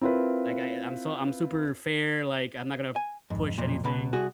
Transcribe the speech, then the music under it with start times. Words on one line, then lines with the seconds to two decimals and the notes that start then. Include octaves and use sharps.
Like, I I I'm so I'm super fair, like, I'm not gonna push anything.
0.01 C4 E4 F4 A#4 B4
2.96 G#5
3.30 F2 G#2
3.58 B1 F2 A#2
3.84 C#2 B2 B4 B5
4.13 C2 F#4 G#4